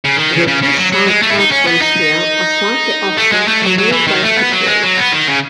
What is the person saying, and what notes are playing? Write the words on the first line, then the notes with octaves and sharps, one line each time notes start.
The two side platforms here are slightly offset and linked by a footbridge.
C#3
D#3
C#3
C#3
C#3
F#3
F#3
G#3
A3
E4
D#4
C#4
B3
D#4
A3
G#3
A3
F#3
F#3
E3
D#3
A3
B3
F#3
G#3
F#3
B3
D#3
C#3